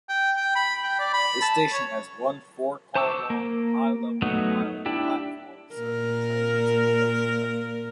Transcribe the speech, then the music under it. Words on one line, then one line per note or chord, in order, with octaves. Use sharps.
This station has one four-car-long high-level island platform serving trains in both directions.
G5
G5
B5
G5
D5
B5
A5
C#5
C5 A5 C#6 D6 E6
A#3
F#3 A3 B3 D#4
D4 E4 G4
A#2 A#4